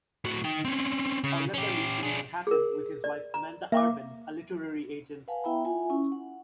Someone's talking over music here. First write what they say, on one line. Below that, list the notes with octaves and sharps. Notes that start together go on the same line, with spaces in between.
Auletta lives in Manhattan with his wife Amanda Urban, a literary agent.
A2 F#4
D#4 G5
C4 C#4
C#3
C#4 G4
D4 G#4
G#4 A#4
D5
A#5
A#3 E5 D6
B4 F5 F#5 G#5 A5
B3 E4 E5 G5 A#5 B5
F4 E5 F#5 G#5
C#4 E4
F#5